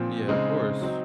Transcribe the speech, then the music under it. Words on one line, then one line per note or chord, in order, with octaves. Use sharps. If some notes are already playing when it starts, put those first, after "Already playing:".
Yeah, of course.
Already playing: A#2 F3 C4
C#3 G#3 C4 D#4
F#3 C4 D#4